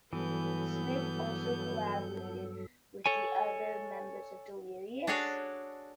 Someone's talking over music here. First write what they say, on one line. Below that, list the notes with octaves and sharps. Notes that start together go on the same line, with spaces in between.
Smith also collaborated with the other members of Delirious?
G2 E3 F#3 B3 A4 G6
A4 C#5 G#5
D4 F#4 G#4 A4 C#5 D5